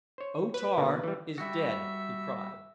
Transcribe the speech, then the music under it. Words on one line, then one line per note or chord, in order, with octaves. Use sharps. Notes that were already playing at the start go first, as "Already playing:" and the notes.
"O-Tar is dead!" he cried.
C5 C#5
B4
B2 D3 A#3
E3 G3
G3 F#4 E5